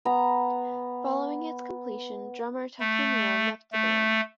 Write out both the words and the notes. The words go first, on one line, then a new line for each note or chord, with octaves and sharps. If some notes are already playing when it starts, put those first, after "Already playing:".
Following its completion, drummer Takumiya left the band.
B3 A#5
A3
A3